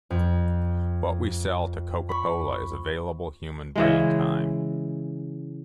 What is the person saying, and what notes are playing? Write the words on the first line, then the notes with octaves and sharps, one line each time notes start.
What we sell to Coca-Cola is available human brain time.
F2
B5 C#6
C#3 E3 G#3